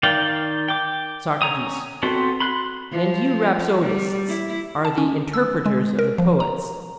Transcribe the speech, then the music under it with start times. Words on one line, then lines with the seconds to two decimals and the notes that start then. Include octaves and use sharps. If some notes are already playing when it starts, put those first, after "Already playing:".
SOCRATES: And you rhapsodists are the interpreters of the poets?
0.03 D#3 D5 F5 G5
0.68 G5 D6
1.42 C#4 C#5 A#5 D#6
2.03 B3 C4 F#4 A4 C5
2.40 B5 C6 F#6
2.91 F3
3.82 G3
4.28 E4
4.85 A5
4.98 C#4
5.33 E6
5.66 G#3
5.99 A#4
6.18 F3
6.40 A#5